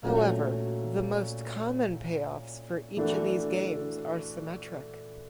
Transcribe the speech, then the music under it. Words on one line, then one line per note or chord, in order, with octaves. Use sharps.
However, the most common payoffs for each of these games are symmetric.
A#2 F#3 A3 C#4 F#4
E3 A3 D4 F#4 A4